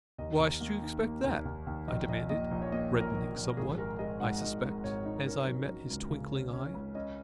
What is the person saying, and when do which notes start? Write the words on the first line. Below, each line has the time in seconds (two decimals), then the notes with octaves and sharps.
"Why should you expect that?" I demanded, reddening somewhat, I suspect, as I met his twinkling eye.
0.18 D#2 D#5
0.40 D#2
0.61 A#3
0.82 D#3
1.03 A#3
1.24 D#2
1.45 D#2
1.67 D#2
1.88 A#1 D#5
2.09 A#1 D#5
2.30 A#2 D#5
2.51 A#1
2.62 C#5
2.72 A#3 D#5
2.94 A#1
3.00 A#4
3.14 A#1
3.36 A#1
3.57 G#1 G#4
3.78 G#3 A#4
3.99 G#3 D#5
4.20 G#2 F#5
4.41 G#2 D#5
4.63 G#2
4.84 G#1 C#5
5.05 D#4
5.26 C#4 A#4
5.47 F#3
5.68 F#3
5.90 C#2
6.10 C#3
6.32 C#4
6.53 C#4
6.74 C#2
6.95 C#4 D#5